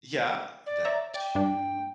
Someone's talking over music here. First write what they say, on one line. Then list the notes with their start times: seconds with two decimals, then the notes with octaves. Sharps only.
Yeah, that too.
0.66 D5
0.85 C#5 E5 A#5
1.14 D5 G5
1.35 G2 D4